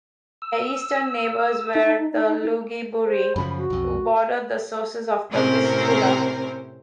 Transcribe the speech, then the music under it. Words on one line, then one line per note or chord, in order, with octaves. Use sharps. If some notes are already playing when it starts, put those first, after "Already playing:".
Their eastern neighbours were the Lugi Buri, who bordered the sources of the Vistula.
E6
D#4
C5
F#2 C#3 F3 B5
F#4
B1 F2
A2 C3 C4 C#4 A#4 C5